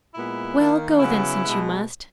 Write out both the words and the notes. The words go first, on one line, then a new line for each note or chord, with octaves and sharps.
'Well, go then, since you must.
A#2 G#3 B3 E4
D#3 A#3
C#3 F#3 B3 E4
B2 G#3 B3